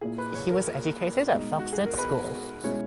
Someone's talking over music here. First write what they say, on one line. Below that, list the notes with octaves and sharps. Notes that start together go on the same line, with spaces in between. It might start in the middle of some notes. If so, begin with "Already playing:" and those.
He was educated at Felsted School.
A#2 A#3 E4 G#4
B4
C#5
A#4
B2 G#3 D#4
F#4
G#4
A#4
B4
B2 G#3 C#4 E4 C#5